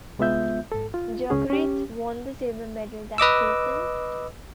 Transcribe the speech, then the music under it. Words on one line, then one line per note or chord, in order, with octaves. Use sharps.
Jokerit won the silver medal that season.
C2 G#3 B3 F4 E5 G6
G#2 A4
F4
C#2 C#4 G#4
C#4 G4
B4 D#5 D6 E6